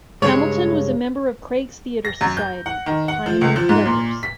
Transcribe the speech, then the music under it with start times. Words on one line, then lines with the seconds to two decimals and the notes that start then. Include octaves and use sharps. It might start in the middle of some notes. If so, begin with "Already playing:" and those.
Hamilton was a member of Craig's theatre society, the Pioneer Players.
0.22 G2 C#3 G#3 C#5
2.05 A#6
2.21 F#2
2.37 G6
2.66 F#5
2.86 D#3
3.08 F#5
3.26 F3
3.41 C#2
3.56 F3
3.69 G#2
3.85 A#2
4.23 B6